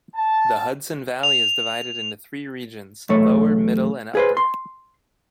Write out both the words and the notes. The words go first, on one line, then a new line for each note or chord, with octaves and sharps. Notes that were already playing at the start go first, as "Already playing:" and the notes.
The Hudson Valley is divided into three regions: Lower, Middle, and Upper.
A5
F7
B1 E2 A3 C#5
G#4 B4 C5
C6